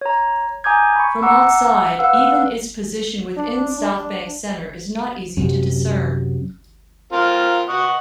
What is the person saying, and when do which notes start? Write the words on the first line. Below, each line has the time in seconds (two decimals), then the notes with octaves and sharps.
From outside, even its position within Southbank Centre is not easy to discern.
0.01 C#5 A#5
0.64 G#5 A#5 D6 D#6 G6 G#6
0.96 B5 C#6
1.22 F#5 A#5 D6 E6
1.99 B4 F5 F#5 E6
3.37 D4
3.80 D4
5.37 F#2 C3
7.13 C4 F4 A#4
7.69 D#5 F#5 C#6